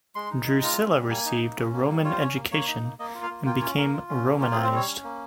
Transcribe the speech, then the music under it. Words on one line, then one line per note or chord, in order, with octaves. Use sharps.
Drusilla received a Roman education and became Romanized.
G#3 C6
D#4
G#3
F4 A#5
C#4
G3
A#3 G#5
D#4
A#3
C#4
A#3
G3
F4 C#5
C5
C#4 C#5
A#3
A#3 C#5
D#4
A#3
A#3 D#5
F4
F5
A#3
F4 G5
C#4 C#5
A#3 A#4
F4
C#4
A#3
F4 G4
G#4
C4
C5
G3 C#5
C#4
A#3